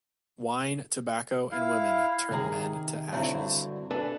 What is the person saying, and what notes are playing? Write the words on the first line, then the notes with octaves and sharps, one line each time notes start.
Wine, tobacco and women turn men to ashes.
E4 F5
C3 D#3 G#4 A#5
G2 D3 F#3 C4 E4
D4 A4 B4 G#5